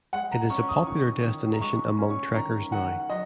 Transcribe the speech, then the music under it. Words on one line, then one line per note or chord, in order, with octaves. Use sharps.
It is a popular destination among trekkers now.
G#3 F#5
A#5
C#4 C#6
D#6
D#3 C#6
D#3
A#5
G#3 C#6
C#4
C#6
D#3 A#5
D#3 F#5
F#3 D#5